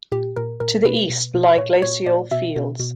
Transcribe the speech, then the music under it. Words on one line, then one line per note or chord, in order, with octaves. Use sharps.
To the east lie glacial fields.
A#2 G4
A#2 A#4
A#2 A#4
B2 B4
B2
B2
A#2 C#5
A#2 C#5
A#2 D5
B2 E5
B2
B2